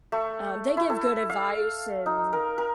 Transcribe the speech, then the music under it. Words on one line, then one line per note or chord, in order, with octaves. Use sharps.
um, they give good advice, and,
A3
E4
A4
F5
D#4
A#4
A#4